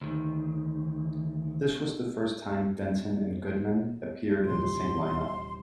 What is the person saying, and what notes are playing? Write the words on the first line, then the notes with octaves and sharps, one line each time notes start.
This was the first time Denton and Goodman appeared in the same line-up.
D2 D#3
D#1 A1 C3 C6